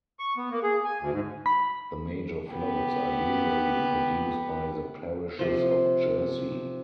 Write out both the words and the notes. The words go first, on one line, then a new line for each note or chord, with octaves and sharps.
The major floats are usually produced by the parishes of Jersey.
C#6
B3
A#3
G#4
G#5
D2
G#2
B5
B3 G4
C3 F3 C5